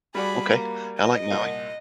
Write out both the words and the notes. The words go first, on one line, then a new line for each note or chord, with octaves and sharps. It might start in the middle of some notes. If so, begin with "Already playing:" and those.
Okay. I like Maui.
G3 F#4 G#4 D5 B5
A#3
D#5
C2 A#2